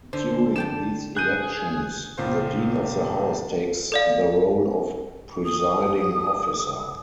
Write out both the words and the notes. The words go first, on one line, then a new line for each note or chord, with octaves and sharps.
During these elections, the Dean of the House takes the role of presiding officer.
D3 C5
D5 G5 A5 E7
G#4 F#6 G6 D#7
C#2 A#2 F4 C5
A4 D5 F5
D#6